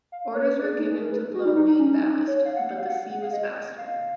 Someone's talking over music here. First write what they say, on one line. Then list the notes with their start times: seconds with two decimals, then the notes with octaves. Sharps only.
Orders were given to blow main ballast, but the sea was faster.
0.12 F5
0.34 C#5
0.45 B4
0.62 G#4
0.79 D#4
0.90 G#4
1.01 A#4
1.12 B4
1.34 F#4
1.45 D#4
1.56 D#4
1.67 D#4
1.79 C#4
1.95 D#4
2.28 C#5
2.45 F5
2.56 F#5
2.68 F#5
2.78 F5
2.89 F#5
3.11 F#5
3.22 F5
3.33 D#5
3.78 F5